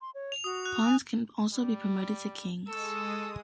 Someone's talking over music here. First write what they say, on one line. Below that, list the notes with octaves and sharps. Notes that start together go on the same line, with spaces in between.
Pawns can also be promoted to Kings.
C6
C#5
F7
F#4 D#6
F#6
G#5
G3
G#3 A4 C#6 D#6 E6